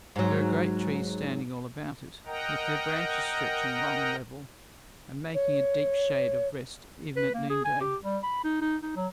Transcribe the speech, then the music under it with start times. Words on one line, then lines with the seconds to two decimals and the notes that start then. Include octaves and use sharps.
There are great trees standing all about it, with their branches stretching long and level, and making a deep shade of rest even at noonday.
0.16 G#2 F#3
2.26 A#4 D#5 F#5 G5 A#5
5.34 C#5
7.16 B4
7.34 A#3
7.50 G#4
7.65 G#5
7.81 G4
8.03 G3
8.23 B5
8.44 D#4
8.61 D#4
8.82 D#4
8.96 F#3